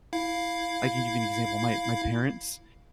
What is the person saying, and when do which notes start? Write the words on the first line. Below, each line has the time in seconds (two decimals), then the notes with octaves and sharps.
I can give you an example, my my parents,
0.13 E4 F5